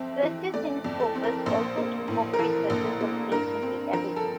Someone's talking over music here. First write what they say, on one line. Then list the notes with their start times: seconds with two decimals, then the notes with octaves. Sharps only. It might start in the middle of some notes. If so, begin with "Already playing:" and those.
Searches in Scopus also incorporate searches of patent databases.
Already playing: F2 C4 E5
0.23 E3
0.54 A3 D5
0.84 F2
1.00 A4
1.15 C4
1.23 A#4
1.46 A#1 C5
1.78 A#3
2.08 A2
2.34 A#4
2.39 E3 A4
2.70 A#1
3.01 A#3
3.32 G2 A#4
3.62 C4
3.93 F3 A#4
4.16 A4